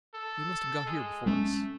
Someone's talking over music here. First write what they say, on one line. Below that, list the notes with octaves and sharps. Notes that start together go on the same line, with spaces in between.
"They must have got here before us."
A4
G#3
G#3 A3 C4 C#4